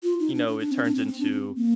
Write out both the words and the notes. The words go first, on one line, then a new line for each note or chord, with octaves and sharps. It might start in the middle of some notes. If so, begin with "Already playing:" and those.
you know, it turns into,
F4
D#4
D4
D4
D4
C4
D4
C4
C4
D4
C4
A#3